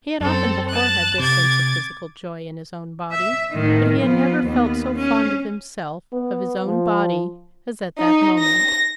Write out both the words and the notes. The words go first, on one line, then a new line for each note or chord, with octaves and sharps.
He had often before had this sense of physical joy in his own body, but he had never felt so fond of himself, of his own body, as at that moment.
F#2 C4 A4
A5 F#6
C3 D6 G#6 A6
E5
A2 D#3
F3 B3
D#2 B3
C#4
B3
F3
D#4
A#6